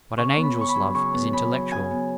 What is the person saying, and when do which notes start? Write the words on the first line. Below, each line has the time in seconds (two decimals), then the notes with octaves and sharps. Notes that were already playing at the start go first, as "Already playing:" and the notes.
But an angel's love is intellectual.
0.18 C#3 C#6
0.37 B3
0.43 B5
0.56 C#3
0.61 C#6
0.69 B5
0.75 F#3
0.95 C#3 C#6
1.14 B3
1.33 C#3 B5
1.52 F#3
1.72 C#3 G#5
1.91 B3